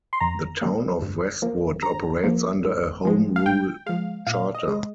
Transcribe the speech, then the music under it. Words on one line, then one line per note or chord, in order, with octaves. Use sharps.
The town of Westwood operates under a home rule charter.
C6
F2 A#5
D#3 G3 A#3
G2
F3 A#3
G2 A#5
F3 A#3
G#2
F3 G#3
F5
G#2 G5
F3 G#3 F5
A#2 F5
D#5
G#3